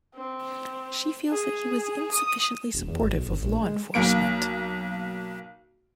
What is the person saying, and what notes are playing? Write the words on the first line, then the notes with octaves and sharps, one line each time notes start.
She feels that he was insufficiently supportive of law enforcement.
C4
G#4
D#6
E1
E2
G#1
B1
G1
A#1
G#3
B1 A#3 D7